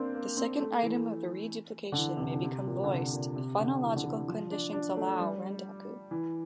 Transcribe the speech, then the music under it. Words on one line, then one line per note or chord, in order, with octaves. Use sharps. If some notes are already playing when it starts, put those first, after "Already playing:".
The second item of the reduplication may become voiced if phonological conditions allow, rendaku.
Already playing: A#3 C4 D4
A#3
C4
A3
E3
D3
E3
C3
D3
D3
C3
A#2
D3
C3
A#2
C3
D3
E3
D3
E3
F3
D4
D4
A3
G3
E3